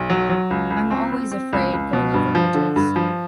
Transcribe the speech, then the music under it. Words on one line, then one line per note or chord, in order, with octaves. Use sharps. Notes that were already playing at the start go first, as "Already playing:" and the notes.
I’m always afraid going over bridges.
Already playing: B1
F#3
F#3
C#2
C#2
C4
C4
C4
C#2
C#2
B2
G2
F3
D3
G2
F3